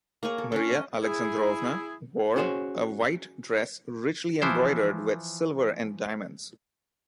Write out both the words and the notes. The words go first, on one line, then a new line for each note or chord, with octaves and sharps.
Maria Alexandrovna wore a white dress richly embroidered with silver and diamonds.
A#3 G#4 C#5 A#5
A4
C#4 D4 A4
D#5
E4 G#4
C#4 F#4 G#4 C5 C#5
E3 F3 E4 C5